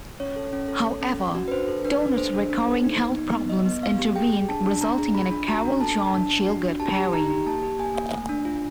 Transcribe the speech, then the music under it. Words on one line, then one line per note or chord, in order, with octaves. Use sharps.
However, Donat's recurring health problems intervened, resulting in a Carroll-John Gielgud pairing.
C#4 C#5
A4
C#4
A4
A4
C#4
C#4
F#4
B4
D4 C5
A4
D4 B4
D4
A4 C5
D4
D4
A4
D#4
B3
D#4
B3
B3 D#5
B3
B3 F5
G4
G#4 G5
G#4
D4 A5
D4
D4 A#5
G#4
F4 B5
D4
F#4 A#5
D4
A4 A5
D4
D4
D4
F#4
D4
G4 A5
G4
D#4 A#5
G4
A#3 A5
G4
A#3 G#5
A#3
A3
D4
F4